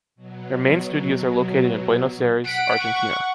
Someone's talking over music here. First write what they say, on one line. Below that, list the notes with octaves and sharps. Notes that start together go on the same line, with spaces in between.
Their main studios are located in Buenos Aires, Argentina.
B2 F#3
F#5 B6 D7
C#6